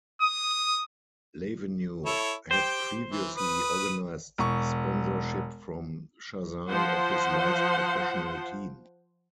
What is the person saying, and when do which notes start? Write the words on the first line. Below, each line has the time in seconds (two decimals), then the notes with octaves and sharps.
Lavenu had previously organised sponsorship from Chazal of his last professional team.
0.22 D#6
2.06 E4 A4 C#5
2.51 G4 C5 G5
3.11 E3
3.36 B4 D#6
4.38 E1 C#6
6.70 F3 C5 F#5